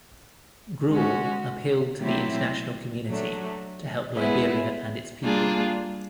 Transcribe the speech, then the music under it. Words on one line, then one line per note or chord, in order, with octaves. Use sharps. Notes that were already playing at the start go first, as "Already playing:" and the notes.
Grewal appealed to the international community to help Liberia and its people.
G#3 C#4 F#4
F#3 A3 C4 E4 G4
F#3 A3 D4
G#3 B3 E4 G#4
G3 A#3 D4 F4 G#4